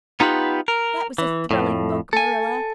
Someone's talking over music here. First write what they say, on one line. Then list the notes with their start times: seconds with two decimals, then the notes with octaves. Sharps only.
That was a thrilling book, Marilla.
0.20 B3 D#4 F4 G4 B4
0.68 A#4
1.18 E3
1.51 F2 A2
2.13 A4 G#5